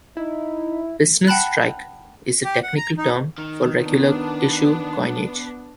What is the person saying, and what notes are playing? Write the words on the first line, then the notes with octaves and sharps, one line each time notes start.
"Business Strike" is the technical term for regular issue coinage.
D#4 E4
F#5 G5 A5 B5 F#6
G4
F#5
A#5
D#4
D#3
B3 D4